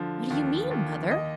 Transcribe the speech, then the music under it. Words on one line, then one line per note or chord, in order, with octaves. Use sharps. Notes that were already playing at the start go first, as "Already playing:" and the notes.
"What do you mean, Mother!"
Already playing: D3 F3
D#2
D#2
D#5